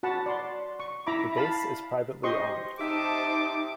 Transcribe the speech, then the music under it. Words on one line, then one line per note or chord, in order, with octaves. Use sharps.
The base is privately owned.
F#4 F#5 A5 B5
D5 C6
C#6
E4 E5 A#5 B5 D6
F5 A5 B5
G4 C5 D#5 C6 C#6
D#4 G4 C5 E5 G5 A5 D6